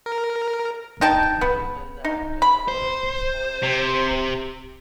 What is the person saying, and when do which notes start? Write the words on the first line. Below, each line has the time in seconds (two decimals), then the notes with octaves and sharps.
I could tell the actors weren't responding to him.
0.06 A#4
1.01 D#4 G5 A5
1.41 B3
2.04 D#4
2.42 B5
2.68 C5
3.63 C3